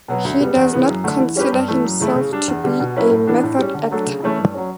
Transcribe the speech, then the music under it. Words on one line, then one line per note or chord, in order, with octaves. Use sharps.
He does not consider himself to be a method actor.
B2 F#3 B3
D2
C#3 G3 B3
E2
C#3 E3 B3
F#2
D3 A3
E3
G3 C#4 G4 B4
G2
E3 A3
F#2
C#3 E3 A3 E4
C#3
G3 D4
E2
D3 G3
B2
F#3 C#4 E4 B4
A2
E3 B3 D4
A2
G3 C#4
D3
F#3 A3 D4 A4
C#3
E3 A3 C#4 E4
G2
F#3 C#4